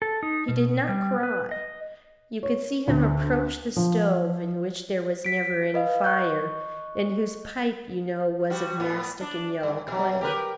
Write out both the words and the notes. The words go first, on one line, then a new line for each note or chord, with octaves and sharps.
He did not cry. You could see him approach the stove, in which there was never any fire, and whose pipe, you know, was of mastic and yellow clay.
A4
D#4
B2
G3
B4
D#5
C#5
D2
F3
B6 D7
B4 D#5 F5
D#5 C#6 F#6 G6
F3 G3 F#4
A2 B3
D4
G2
B2 F#3
G4 A#4 B4